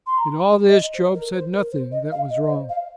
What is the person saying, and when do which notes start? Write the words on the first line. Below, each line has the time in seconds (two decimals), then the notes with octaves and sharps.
In all this Job said nothing that was wrong.
0.06 C6
0.17 A#5
0.69 D#5
0.94 C5
1.14 A#4
1.33 C5
1.53 A#4
1.72 C5
1.91 D#5
2.11 F5
2.30 D#5
2.42 D#5
2.49 C5
2.69 F5